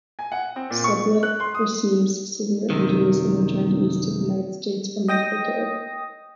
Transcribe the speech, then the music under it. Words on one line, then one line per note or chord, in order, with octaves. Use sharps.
Sublette receives severe injuries and returned east to the United States for medical care.
G#5
F#5
C4
A#2
C#6
F#6
C6
D#6
F#2 C3 D#3
D#5 G5 D#6 A#6